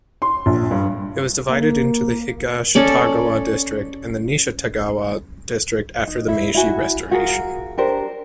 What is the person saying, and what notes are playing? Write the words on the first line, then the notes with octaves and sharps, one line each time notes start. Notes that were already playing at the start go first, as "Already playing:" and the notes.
It was divided into Higashitagawa District and Nishitagawa District after the Meiji restoration.
C6
A#1
G2
A#3
C#4 A4 D5
D#4
E4
E4 F#4 G#5
F4 F#4 G#4 A#4
D4 G4 A#4 C5